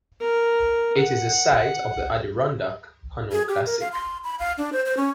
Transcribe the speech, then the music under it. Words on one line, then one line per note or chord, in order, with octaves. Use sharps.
It is the site of the Adirondack Canoe Classic.
A#4
F#5
G#4
G4
A#4
F5
C6
B5
F5
D4
C5
C5
C#4